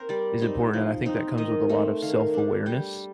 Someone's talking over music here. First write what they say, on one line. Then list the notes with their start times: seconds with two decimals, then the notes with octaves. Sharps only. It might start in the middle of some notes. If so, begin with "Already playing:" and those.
is important, and I think that comes with a lot of self-awareness
Already playing: A#3 C4 A#4 C5
0.09 G3 D5
0.41 C4 D#4
0.73 F3
1.06 C4 D#4
1.38 D#3 D#5
1.69 A3 C4
2.02 D#3 F5
2.34 G3 D4
2.66 G3 G5